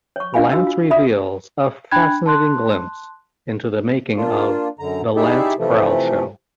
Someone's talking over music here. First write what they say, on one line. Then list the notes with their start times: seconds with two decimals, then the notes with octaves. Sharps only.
Lance reveals a fascinating glimpse into the making of The Lance Krall Show.
0.16 C#5 C#6
0.34 D4 F4 D#5 F5 G#5 B5
0.52 F#4 D#5 E6
0.67 F4
0.90 D5 E5 B5 D#6
1.92 D4 G5 B5 F#6 G#6
2.26 A5 C6 F#6
4.17 A#3 D4 F4
4.79 F#2 D3 A#5
5.16 D#4 E4 G4 G#4 D5 E5
5.58 C3 E3 F3 A3